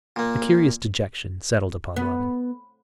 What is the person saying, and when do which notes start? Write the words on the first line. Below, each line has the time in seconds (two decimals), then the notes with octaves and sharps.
A curious dejection settled upon Robin.
0.16 A#2 A#3
1.96 B3